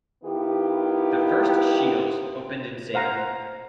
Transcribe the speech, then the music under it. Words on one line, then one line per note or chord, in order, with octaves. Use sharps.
The first Scheels opened in Sabin.
D#3 B3 E4 F4 G4
C5 F5 F#5 A#5